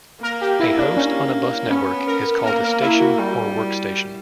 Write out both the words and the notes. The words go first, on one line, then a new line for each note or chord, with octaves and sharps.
A host on a bus network is called a "Station" or "workstation".
A#3 A#4
G4
E4
D4
C#4
B3 C#4
A#4
A#3 A#4
A#4
E4
F#4
G3